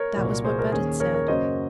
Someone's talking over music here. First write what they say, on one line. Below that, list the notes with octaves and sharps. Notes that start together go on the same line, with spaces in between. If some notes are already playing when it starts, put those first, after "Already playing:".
That was what Budd said.
Already playing: A#4 C#5
C2 A#2 F#3
G#4 C5
A#4
D#2 D#3 A#3 C#4 G#4
A#4 C#5
A#4 C#5
F#2 C#3 F#3 A#3 C5 D#5